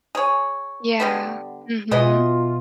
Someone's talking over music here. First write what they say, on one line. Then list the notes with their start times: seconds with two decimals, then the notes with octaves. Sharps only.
Yeah. Mhm.
0.15 G#4 C#5
1.00 D3 G3 B3
1.91 B2 E3 B3 F4 D#5